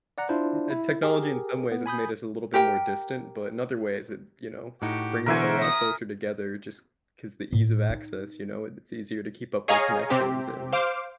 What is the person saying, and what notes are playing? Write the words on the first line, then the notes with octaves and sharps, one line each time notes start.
eh, technology in some ways has made us a little bit more distant, but in other ways it, you know, brings us a lot closer together just 'cause the ease of access, you know, it's easier to keep up those connections, and
D5 F#5 A#5
D4 E4 F4 C5
E4
G4 G#4 A#4
B3
G#5 B5 D#6 G6
G4 A#4 G5
A2 D#4 F#4 G4
B2 D3 E3 F#4 A#4 C5 E5 G#5
D#6
A2
D#4
G#4 C#5 D#5 F5 G#5 A#5
C3 C4 G4
C5 F5 D6